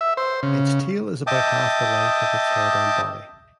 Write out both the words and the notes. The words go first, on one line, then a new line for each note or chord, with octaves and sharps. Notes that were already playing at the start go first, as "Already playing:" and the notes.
Its tail is about half the length of its head and body.
E5
C5
C#3
D#5 E5 G5 A5 D6 D#6